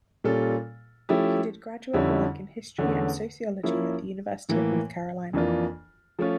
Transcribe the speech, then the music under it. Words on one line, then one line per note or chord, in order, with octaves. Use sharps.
He did graduate work in history and sociology at the University of North Carolina.
A#2 G3 C#4 F4 A4
F3 A3 C#4 E4 G4
F2 D3 G3 C#4 E4
E2 D3 A3 C#4
F3 A#3 C#4 E4
A2 E3 A#3
F2 E3 A#3 D4 F4
F3 A3 C#4 F4